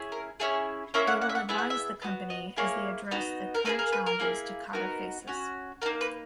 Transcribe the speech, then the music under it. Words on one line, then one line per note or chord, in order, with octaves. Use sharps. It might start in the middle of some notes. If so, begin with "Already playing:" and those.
They will advise the Company as they address the current challenges Takata faces.
Already playing: C#4 E4 G#4
A#4
C#4 E4 G#4 C#5
A#3 C#4 E4 E5
F#5
F#5
E5
F#5
B3 E4 G#4 E5
F#5
E5
B3 F#4 D#5
D#5
A#3 E4 G#4 C#5
B3 D#4 F#4
A#4
A#3 D#4 G#4 B4
A#4
B4
A#4
A#3 E4 G#4
B3 D#4 F#4 A#4
C#4 F#4
A#3 D#4 F#4 A#4
B4